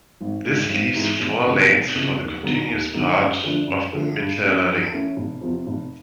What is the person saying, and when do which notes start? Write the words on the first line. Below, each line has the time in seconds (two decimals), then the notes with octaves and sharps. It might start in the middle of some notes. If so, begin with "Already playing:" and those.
This leaves four lanes for the continuous part of the "Mittlerer Ring".
0.21 G#1
0.45 G#2 E3 G#3
0.69 G#1
0.95 G#2 E3 G#3
1.20 F1
1.44 F2 C#3 E3
1.70 F1
1.94 F2 C#3 E3
2.20 D#2
2.43 D3 F#3 B3 D#4
2.68 D#2
2.93 D3 F#3 B3 D#4
3.18 F#2
3.43 D3 F3 A3 D4
3.67 F#2
3.93 D3 F3 A3 D4
4.18 G2
4.42 E3 A3 C#4 E4
4.68 G2
4.92 E3 A3 C#4 E4
5.17 F1
5.41 E2 C3 F3
5.67 F1